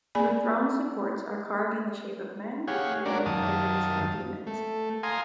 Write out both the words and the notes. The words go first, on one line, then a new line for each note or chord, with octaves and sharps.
The throne's supports are carved in the shape of men, women, fairies, and demons.
A#3 G#4 D5 G#5 B5
G4 G#4 C#5 F5 F#5
C#4 D4 F#4 A#4 D5
F#2 D#3 F5 A5 D#6
A3
F5 G#5 A#5 C6 D#6